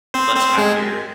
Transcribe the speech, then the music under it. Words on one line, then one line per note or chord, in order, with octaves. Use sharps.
much happier.
C4 C5
C4 C5
G#3 G#4